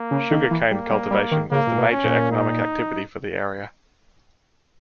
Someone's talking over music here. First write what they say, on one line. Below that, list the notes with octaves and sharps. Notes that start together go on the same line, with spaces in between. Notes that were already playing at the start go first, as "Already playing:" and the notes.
Sugar cane cultivation is the major economic activity for the area.
Already playing: A#3
C#3
D#3
E3
G3 A#3
G3
G3
D#3
C#3 A#3
A#2
B2
C#4
A#2
D#4